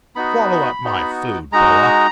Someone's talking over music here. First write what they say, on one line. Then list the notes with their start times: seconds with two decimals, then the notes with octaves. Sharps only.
Swallow up my food, boa.
0.15 B3 D#4 F#4 B5
0.84 B3 D#4 F#4
1.52 G#3 D#4 F#4 A#5